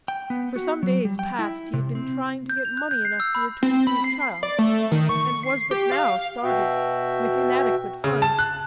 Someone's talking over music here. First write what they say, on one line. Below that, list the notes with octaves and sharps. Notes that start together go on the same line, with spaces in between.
For some days past he had been trying to get money enough to return to his child, and was but now started with inadequate funds.
G5
B3
F#4
F#3
G3
G5
E4
C3
C4
G6
F7
F#6
G6
C7
E6
B5
C4
B5
C7
D5
A3
D#3
C#6
C7
G4
F5
B2 F#4 E5 G5
C#3
A5
F#6